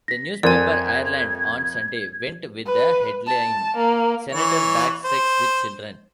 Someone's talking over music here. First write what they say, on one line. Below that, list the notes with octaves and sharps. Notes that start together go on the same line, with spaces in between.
The newspaper, "Ireland on Sunday", went with the headline "Senator Backs Sex With Children".
A#6 B6
F2 A#4 D5 G#5 G#6
B4
A5
A#3
E3 C#5
C5